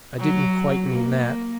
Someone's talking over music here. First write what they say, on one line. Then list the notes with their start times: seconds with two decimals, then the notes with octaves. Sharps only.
"I didn't quite mean that."
0.19 F#3
0.91 A#3